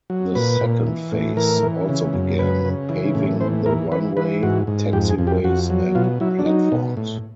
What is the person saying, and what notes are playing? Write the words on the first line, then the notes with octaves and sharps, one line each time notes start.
The second phase also began: paving the runway, taxiways, and platforms.
F#3
A#2 B4
A#2
E3
A2
E3 A#4
E3
C#3
F#2
C#3 B4
C#3
E3
A2
E3 C5
E3 A#4
E3 B4
E3 B4
G#2 F#4
G#2
F2 G4
G#4
F2
G4
F2 F#4
F#3
B2 F4
F#3 E4
D4
F#3 D#4
B2
A2